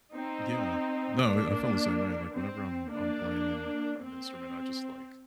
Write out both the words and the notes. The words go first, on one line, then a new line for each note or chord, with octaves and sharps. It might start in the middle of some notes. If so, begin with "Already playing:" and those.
Yeah, no, yeah, I feel the same way, like, whenever I'm I'm playing an instrument, I just, like
C4 D#4
A#3 D4
C4
A#3 D4
C4